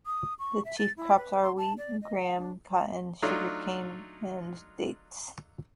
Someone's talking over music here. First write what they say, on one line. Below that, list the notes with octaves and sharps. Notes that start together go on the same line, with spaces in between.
The chief crops are wheat, gram, cotton, sugarcane, and dates.
D#6
C#6
E5
A6
E4
B4
C6
A5
D5
D#5
F#5
D4
F#3 A3 D4 D#4 F4